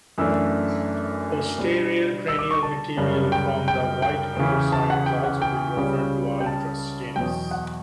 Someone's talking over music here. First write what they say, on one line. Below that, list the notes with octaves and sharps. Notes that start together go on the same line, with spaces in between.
Posterior cranial material from the White Hunter Site has also been referred to "Ultrastenos".
F#2 E3 A3 D4 E6
B2 G3 D4
E6
D6
C#6
A5
F#2 C#3 G3 C#4
G5
G5
G5
E2 C#3 E3
A5
F#5
G5
F#5
G5
C#2 C#3 G3 C#4
G5
A5
E2 B2 F#3 G5
F#5